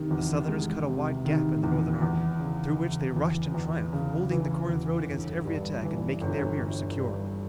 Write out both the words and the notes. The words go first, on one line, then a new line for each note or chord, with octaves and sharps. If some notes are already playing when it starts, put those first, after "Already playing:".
The Southerners cut a wide gap in the Northern army, through which they rushed in triumph, holding the Corinth road against every attack and making their rear secure.
Already playing: C3 D#3
E2
G#3
C3
D#3
E2
E2
C#3
E3
E2
E2
C#3
E3
E2
G1
G2
E3
G1
G1
G2